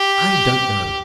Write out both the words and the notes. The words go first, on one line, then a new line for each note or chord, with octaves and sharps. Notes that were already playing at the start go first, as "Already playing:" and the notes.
I don't know.
Already playing: G4